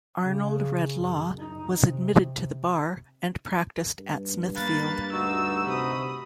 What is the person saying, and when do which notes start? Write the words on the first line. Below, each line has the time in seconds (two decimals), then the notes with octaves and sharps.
Arnold read law, was admitted to the bar and practiced at Smithfield.
0.20 C#3
0.95 F#2
1.39 D#4
1.76 C3
3.99 G2
4.56 A#3 F5 B5 F#6 A6
5.12 D2 D#4 F#4 E6
5.66 C3 B5 D#6